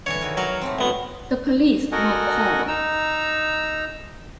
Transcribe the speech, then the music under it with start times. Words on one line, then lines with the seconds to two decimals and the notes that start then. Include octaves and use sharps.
The police were called.
0.06 D3 E3 C#5 C#6
0.21 D#3 E3 F#3
0.37 F#3 A#4 C#5 F5
0.61 A2 A3 C4
0.79 D2 B3
1.92 F#4 A4 A#4 D#5 F#5 G#5
2.68 D#4 A#5 E6